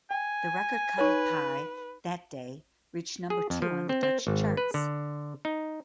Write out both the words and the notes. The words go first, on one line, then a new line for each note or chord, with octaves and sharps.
The record cut at Pye, "That Day", reached number two on the Dutch charts.
G5 G#5
D#4 B4 C#5
G#4
F2
F3
C4
C4
G#1
B4
D3
D#4